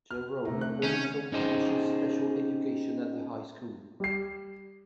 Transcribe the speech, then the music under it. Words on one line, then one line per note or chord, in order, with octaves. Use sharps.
Jerome also teaches special education at the high school.
F6
C3 A3 A#4 A#5
F#6
D#3 C#4 G6
C#4 D#4 G4 G#4 C5
G3 C7